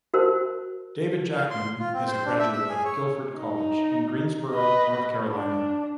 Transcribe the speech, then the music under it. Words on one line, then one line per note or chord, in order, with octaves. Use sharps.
David Jackman is a graduate of Guilford College in Greensboro, North Carolina.
F#4 A#4 C5
F5
C6
F4
C4
C5
D4
E5
E5
G#4
C#5
D#4
B4 D#5
D4